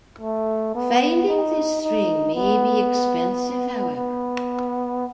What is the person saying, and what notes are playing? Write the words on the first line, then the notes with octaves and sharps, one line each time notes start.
Finding this string may be expensive, however.
A3
B3
D#4
D#4
B3
B3